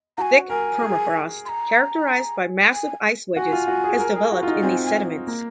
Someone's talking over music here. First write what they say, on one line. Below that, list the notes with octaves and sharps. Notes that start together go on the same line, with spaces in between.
Thick permafrost characterized by massive ice wedges has developed in these sediments.
F#4 G#5 A#5
A#4 G#5
G#4
C6
A#5
G#5
F#4 G#5
F4
F#4
G#4
A#4
G#4
F#4
F4
D#4
C4 G#5
G#5
A#3